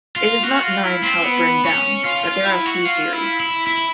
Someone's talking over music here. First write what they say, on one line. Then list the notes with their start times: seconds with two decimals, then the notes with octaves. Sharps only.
It is not known how it burned down, but there are a few theories.
0.16 F4
0.43 F#4
0.63 F4
0.84 E4
1.03 C4
1.24 B3
1.65 C#4
2.05 F4
2.25 F4
2.45 E4
2.66 F#4
2.85 F4
3.12 E4
3.40 E4
3.67 E4